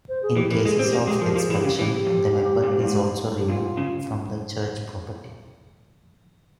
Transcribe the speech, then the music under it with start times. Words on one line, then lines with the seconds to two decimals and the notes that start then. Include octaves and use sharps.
In cases of expulsion the member is also removed from the church property.
0.09 C5
0.23 G#4
0.36 E3 G4
0.50 E3 A#4
0.65 G#3 G#4
0.79 C4
0.84 G4
0.93 A#3
1.03 G#3 G4
1.21 F3 A#4
1.36 F3
1.41 G#4
1.50 E3
1.55 G#4
1.60 C#3 G4
1.78 E3 G4
2.06 F2
2.63 A#2
2.71 G#2
2.80 G2
2.88 G#2
3.38 G4
3.49 A#2 F4
3.77 C#3